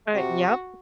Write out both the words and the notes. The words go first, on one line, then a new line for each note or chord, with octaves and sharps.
Uh, yep.
C3 F#4